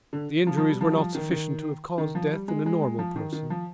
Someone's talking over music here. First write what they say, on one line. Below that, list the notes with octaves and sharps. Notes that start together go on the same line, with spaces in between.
The injuries were not sufficient to have caused death in a normal person.
D3
F3
F3
G3
F3
G3
F3
D#3
D#3
D#3
F3
G3
G#3
G#3
G#3
F3
D#3
D#3
F3